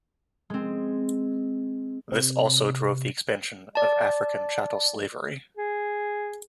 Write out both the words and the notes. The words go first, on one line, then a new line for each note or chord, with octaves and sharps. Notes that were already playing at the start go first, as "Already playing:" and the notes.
This also drove the expansion of African chattel slavery.
G#3 C4
C3
D5 A5
G#4